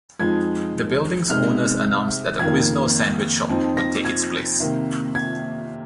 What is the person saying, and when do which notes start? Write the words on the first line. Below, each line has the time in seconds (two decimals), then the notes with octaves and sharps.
The building's owners announced that a Quiznos sandwich shop would take its place.
0.19 F2 F3 G#3 D#4 G#6
1.29 C3 G#3 D#4 F6
2.39 F2 D#3 A#3 G#6
3.50 F2 F3 C4 D#4
3.77 A#6
4.05 G#6
4.60 C3 D#3 A#3
5.15 G#6